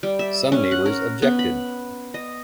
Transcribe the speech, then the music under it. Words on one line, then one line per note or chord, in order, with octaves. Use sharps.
Some neighbors objected.
G3
E5
C#4
F#5
A#4
B3
B5
D#5